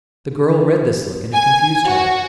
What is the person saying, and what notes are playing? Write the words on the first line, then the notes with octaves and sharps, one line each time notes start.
The girl read this look and it confused her.
G#5
F#4